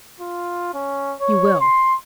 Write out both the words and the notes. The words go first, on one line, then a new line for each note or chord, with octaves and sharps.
"You will."
F4
C#4
C#5
C6